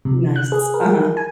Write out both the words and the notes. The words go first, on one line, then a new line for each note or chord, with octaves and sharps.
Nice. Uh-huh.
C3
F#6
G#4
A#4
G#5